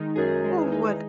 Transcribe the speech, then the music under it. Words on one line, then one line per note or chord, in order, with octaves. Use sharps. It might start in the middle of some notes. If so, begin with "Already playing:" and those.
Oh, what
Already playing: D#3 G#3 D#4
F#2 G#4
G#3
E2
D#4